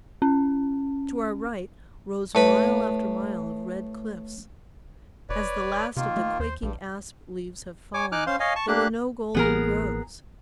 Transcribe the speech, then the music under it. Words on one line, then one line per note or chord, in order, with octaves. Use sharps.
To our right rose mile after mile of red cliffs. As the last of the quaking asp leaves have fallen, there were no golden groves.
C#4
A2 B4 B5
E1 B4 C#5 D5
C3 D#3 A#3 F4
A3
D#2 C5
A#1 G2
C#5 G#5 D6
D#4 G#5 D6 F6 F#6
C#4 C5 F5 C6
C#5 D#5 F5 G#5
A5 C#6
A#3 D4 G4 F#6
A1 E3 A#3 B3 G#4 A#4